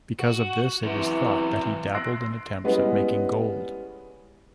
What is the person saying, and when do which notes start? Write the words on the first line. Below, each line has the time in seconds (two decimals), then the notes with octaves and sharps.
Because of this it is thought that he dabbled in attempts at making gold.
0.19 F#4
0.83 F#2 C3 E3
1.94 C6 E6 F#6 A#6 C7 D7
2.64 G3 G#3 B3 C#4 E4 D#5